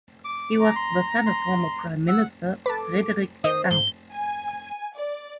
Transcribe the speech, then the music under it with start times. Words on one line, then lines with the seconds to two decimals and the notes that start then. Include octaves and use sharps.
He was the son of former Prime Minister Frederik Stang.
0.25 D6
0.60 A#5
0.76 C6
1.27 C6
2.08 F#5 E6
2.66 A4 B4 A5 D6
3.44 D#3 C5 D#5 D#6 G6
3.71 G#2 G7
4.12 G#5
4.96 D5